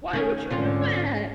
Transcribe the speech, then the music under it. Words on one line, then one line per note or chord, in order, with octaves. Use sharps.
Why would you do that?"
D#3 C#4
G#2 D3 C4 C#4 F4